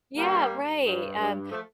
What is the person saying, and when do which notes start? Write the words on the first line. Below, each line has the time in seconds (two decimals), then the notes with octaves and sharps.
yeah, right, um,
0.16 G2 G3 A#3
0.50 G2
0.84 G2
1.17 G2
1.51 F3 A3